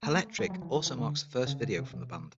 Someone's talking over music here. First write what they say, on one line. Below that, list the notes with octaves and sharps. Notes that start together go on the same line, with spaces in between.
Hellectric also marks the first video from the band.
A3
A3
G3
F#3
E3
E3
E3
D3
C#3
C#3
C3
B2